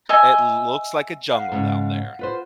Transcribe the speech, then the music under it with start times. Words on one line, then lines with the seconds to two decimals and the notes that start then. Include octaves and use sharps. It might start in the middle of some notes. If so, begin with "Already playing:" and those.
it looks like a jungle down there,
0.09 D#5 E5 G#5
1.31 F5 F#5
1.52 G#2 C#3
2.19 F4 B4 C5